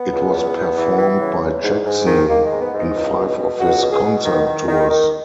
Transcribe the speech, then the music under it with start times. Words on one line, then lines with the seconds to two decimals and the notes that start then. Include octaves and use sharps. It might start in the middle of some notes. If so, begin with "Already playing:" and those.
It was performed by Jackson in five of his concert tours.
Already playing: B3
0.12 C#2
0.33 E2
0.54 E2
0.77 E3
0.98 E3
1.20 C#3
1.41 E2
1.64 G#2
1.85 G#2
2.07 D#3
2.29 D#3 A#3
2.45 G#3
2.51 G#2
2.61 B3
2.73 G#2
2.79 D#4
2.94 C#2
3.17 B2
3.37 B2
3.59 C#2 F#4
3.81 B2
3.92 G#4
4.04 B2
4.25 D#3
4.46 D#3
4.68 D#3
4.90 D#3